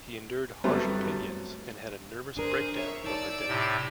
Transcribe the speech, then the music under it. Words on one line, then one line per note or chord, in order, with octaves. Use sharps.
He endured harsh opinions and had a nervous breakdown from her death.
G2 F#3 G3 A3 B3 C4
D4 G#4 A#4 C5
C#5 E5
D#4 D5 A5 E6
A2 C3